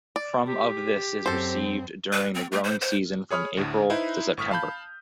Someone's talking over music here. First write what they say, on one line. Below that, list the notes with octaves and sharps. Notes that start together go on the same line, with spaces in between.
From of this is received during the growing season from April to September.
D5
G4
F#2 C4 A4 C5
B4
C4
A3
C5
C5
G#4 C#5 B5 D#6 F6
D2 A2 D3
D#4 E4 B4 C5
G1 A2 C#6 D#6 F6 B6
F5 A5 B5 G6